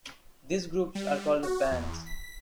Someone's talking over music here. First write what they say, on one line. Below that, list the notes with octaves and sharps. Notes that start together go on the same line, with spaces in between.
These groups are called bands.
G3
F#4
E2
B6